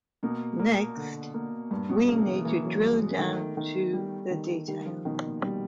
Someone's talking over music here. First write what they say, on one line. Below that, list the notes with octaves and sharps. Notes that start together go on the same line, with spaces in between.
Next, we need to drill down to the detail.
B2 A#3
A#2 A#3
D3
A#3
G2 A#2
B2
C#3 A#3
E3
E3 A#3
F#3
G2 G#3
G#3
D#3 A3
D#3
G3
D#3
D#3 G3
F3
B2 D#3
A#2
B2 G3